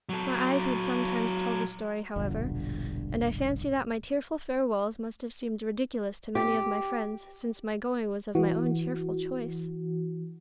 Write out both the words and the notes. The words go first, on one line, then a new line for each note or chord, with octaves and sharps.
My eyes would sometimes tell the story, however, and I fancy that my tearful farewells must have seemed ridiculous to many of my friends, since my going was of my own cheerful choice.
F#3 A4
E1 A#1 G2 D3
G4
E3 F#4